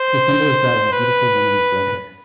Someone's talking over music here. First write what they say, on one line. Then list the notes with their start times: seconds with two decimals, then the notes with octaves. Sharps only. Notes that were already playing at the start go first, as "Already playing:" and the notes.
Her symbol is that of a beautiful woman with red hair.
Already playing: C5
0.93 B4